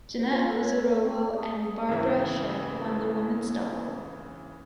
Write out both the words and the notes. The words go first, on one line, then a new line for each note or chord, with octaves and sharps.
Janette Husárová and Barbara Schett won the women’s double.
C5
F4
A4
C#5
A4
C4
G#4
G#4
G#1 C#3 E3 E5